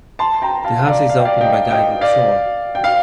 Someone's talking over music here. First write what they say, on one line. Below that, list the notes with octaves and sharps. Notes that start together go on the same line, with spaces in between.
The house is open by guided tour.
A5 C6
G5 A#5
F5 A5
D5 F5
F5
G5
D5 F5
D#5 G5
D#5 G5
D5 F5
G5
F5